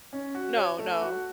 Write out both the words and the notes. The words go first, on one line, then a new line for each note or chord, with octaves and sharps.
No, no.
C#4
F#4
C#5
A3
F#4